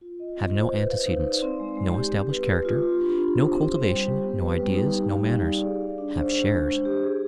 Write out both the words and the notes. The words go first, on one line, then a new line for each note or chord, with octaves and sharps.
Have no antecedents, no established character, no cultivation, no ideas, no manners; have Shares.
F4
D#5
C4
C5
B4
F5
D#4
D5
C4
G#3
G#3
G4
C4
B4
G#3
F4
G4
D4
D4
C5
C4
C5
G3
G4
B3
B4
G3
D#4
G4
F5
D#4
D5
G#4
F5
D4
C5
D4
G#3
G#3
G4
G#4